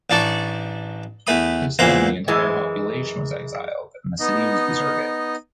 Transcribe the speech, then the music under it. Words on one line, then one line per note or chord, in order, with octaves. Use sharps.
This time the entire population was exiled, and the city was deserted.
A1 D4 D#4 D5 A5 C#6
E2 A3 B5 D#6
E2 A#2 C#3 E4 C5 A#5
F#2 E3 G#3
B3 D#4 D#5